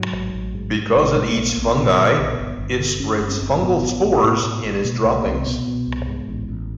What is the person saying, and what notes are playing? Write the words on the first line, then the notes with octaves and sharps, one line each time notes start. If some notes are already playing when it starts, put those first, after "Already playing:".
Because it eats fungi, it spreads fungal spores in its droppings.
Already playing: G#2 F#3
A1
A1
G#2
G#2
A1
A#2 G#3
A#1 A3
A#3
A#1
B3
A#2
A#2
A#1
G1
G1
D3
G2 C#4
G1
C4
G1
A2 B3
A1
A1
A2
A2
A1
B2 A#3
C2 A3
A#3
C2
C4
B2 B3
B2
C2
G#2
A1
A1